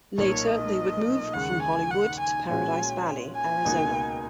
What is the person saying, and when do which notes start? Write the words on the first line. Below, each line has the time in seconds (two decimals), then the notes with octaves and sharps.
Later, they would move from Hollywood to Paradise Valley, Arizona.
0.18 B1 A#2 A#3 C#5
0.47 D#5
1.34 D#2 C#3 G#3 F#5
1.62 G#5
1.91 F#5
2.20 G#5
2.49 A#2 G#3 C#4 F#4 G#5
3.36 G#5
3.65 C#2 B2 A#3 D#4 F#4